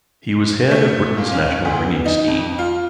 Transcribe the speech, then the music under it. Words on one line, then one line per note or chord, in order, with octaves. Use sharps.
He was head of Britain's National Ringing Scheme.
A3
A#2
C#4
D2
B3
D#4
F2
F4